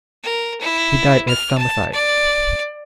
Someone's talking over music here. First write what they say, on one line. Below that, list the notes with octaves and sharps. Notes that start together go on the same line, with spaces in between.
He died at Summerside.
A#4
E4
F6
A5
D5